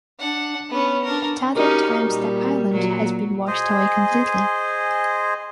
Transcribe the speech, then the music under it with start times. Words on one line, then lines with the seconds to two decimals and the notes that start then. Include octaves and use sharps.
At other times the island has been washed away completely.
0.19 D4 F#5
0.70 B3 C#4
1.04 D4 A#4
1.55 C#4 D#4 F#4 G4 A#4
2.06 A#2 G3
2.71 A#2 F#3
3.47 G#4 C5 D#5 G#5